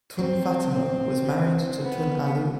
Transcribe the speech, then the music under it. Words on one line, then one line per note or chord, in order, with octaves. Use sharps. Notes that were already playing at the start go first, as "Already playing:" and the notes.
Tun Fatimah was married to Tun Ali.
C4
C4
B3